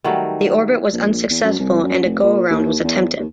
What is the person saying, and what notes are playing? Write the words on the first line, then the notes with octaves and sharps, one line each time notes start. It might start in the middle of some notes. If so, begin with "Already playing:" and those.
The orbit was unsuccessful and a go around was attempted.
D#3 F#3 G3 A3
A#1
E2
F#2
C2
F#2
F1
A#2
D#2
E2
D#2